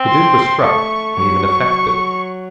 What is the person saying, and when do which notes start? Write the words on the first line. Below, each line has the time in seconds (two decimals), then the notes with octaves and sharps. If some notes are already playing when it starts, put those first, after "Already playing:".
The Duke was struck, and even affected.
Already playing: C4
0.09 C6
0.63 A3 C#6
1.17 F#3 C#6